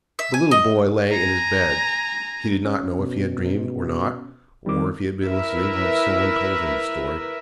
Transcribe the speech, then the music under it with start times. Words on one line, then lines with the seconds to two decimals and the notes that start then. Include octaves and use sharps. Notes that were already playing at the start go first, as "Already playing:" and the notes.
The little boy lay in his bed; he did not know if he had dreamed or not, or if he had been listening while someone told him the story.
0.19 E5
0.34 G#5
0.51 D#5
1.11 G#5 A#5
2.65 C#4
2.99 B2
4.66 D#3 G3 C4 D6
5.26 E4 A#4 B4 E5